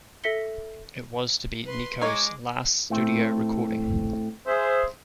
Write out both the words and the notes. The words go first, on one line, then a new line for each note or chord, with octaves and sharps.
It was to be Nico's last studio recording.
A4 E5 A#6 B6 C#7 G7
B4 C6
G#3 D#4 C#5 D6
A2 A3 C4
G#4 C5 E5